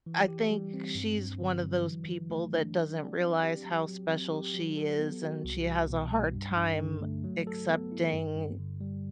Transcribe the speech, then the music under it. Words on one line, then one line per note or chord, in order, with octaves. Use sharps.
I think she's one of those people that doesn't realize how special she is, and she has a hard time accepting
E3
G4
G3
C4
G2
G2
D3
F#3
E3
E3
A3
D4
F#3
D5
C4
G4
F#3
F#3
C4
G4
F#3
A4
B3
F#4
C2
C2
B2
G3
G2
G2
D3
A3
F#3
A4
B3
E4
G2
G2
D3
G3